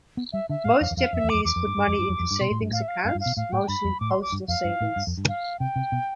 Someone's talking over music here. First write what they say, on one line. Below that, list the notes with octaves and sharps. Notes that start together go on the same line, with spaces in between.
Most Japanese put money into savings accounts, mostly postal savings.
B3
G3 E5
D3 E5
A2 F5
F2 F5
E2
F2 F5
F2 E5
E2
F2 D6
E2 D6
F2
G2
G2
F2
G2
F2
F2
G2
B2 C6
A2
G2
A2 F5
E5
F5
G2 F5
G2
F5
B2
A2 F5
A2 G5
G2 B5
F2
A2 D6
C6
D6
G2
F2 F5
G2
A2
G2
F2
G2
F5
C3 G5
C3
B2